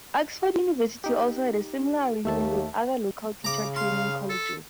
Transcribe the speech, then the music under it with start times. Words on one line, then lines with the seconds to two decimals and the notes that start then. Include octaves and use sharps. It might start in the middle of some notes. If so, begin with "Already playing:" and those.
Oxford University also had a similar arrangement with other local teacher training colleges.
1.04 D#4 G4
2.25 D#2 A3 E5 A5
3.44 C#3 A#5 D6
3.76 F5 C6
4.30 A4